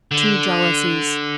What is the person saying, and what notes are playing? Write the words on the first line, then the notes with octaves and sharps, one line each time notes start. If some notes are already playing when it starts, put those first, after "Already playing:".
Two Jealousies.
D3